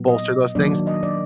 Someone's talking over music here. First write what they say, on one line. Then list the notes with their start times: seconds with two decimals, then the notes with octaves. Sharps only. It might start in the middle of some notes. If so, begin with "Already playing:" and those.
bolster those things.
Already playing: A#2 F#3 B3
0.08 D#5
0.55 D#3 F#3 A#3 D4 D5
0.87 D#5
1.03 D5